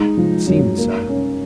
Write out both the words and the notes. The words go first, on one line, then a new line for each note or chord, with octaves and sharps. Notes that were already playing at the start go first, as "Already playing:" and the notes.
It seemed so.
Already playing: G#3 D#4
F3
F#2
A#3
C#4